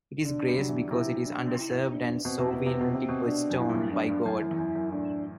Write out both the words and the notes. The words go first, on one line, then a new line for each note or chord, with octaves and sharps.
It is grace because it is undeserved and sovereignly bestowed by God.
D3 D4
G3
F#3 D4
E3
D3
C3 E4
D4
E4
D4
B2 C4
C3
B2
B3
C3
B2
C3 C4
B2
D4
F#2
G2 E4
G2
F#2
F#2 D4
G2
F#2 E4
F#2
E2
F#2
F#2
A2 D4